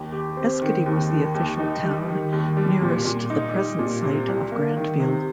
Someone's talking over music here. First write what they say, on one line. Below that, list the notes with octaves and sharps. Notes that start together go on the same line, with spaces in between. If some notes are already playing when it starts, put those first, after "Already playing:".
Eschiti was the official town nearest the present site of Grandfield.
Already playing: D#2
G4
C4
D#3
D#2
D#3
D#2
D#4
G3
D#3
D#2
G3
A#2
A#2
D#4
G3
A#2
C3
C2
A#3
D#3
C3